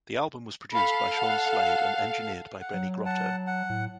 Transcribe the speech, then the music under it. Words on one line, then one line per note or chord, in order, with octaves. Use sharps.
The album was produced by Sean Slade and engineered by Benny Grotto.
A4 F5 B5
F#5
F#5
F#3
F#5 A5
F#5
A2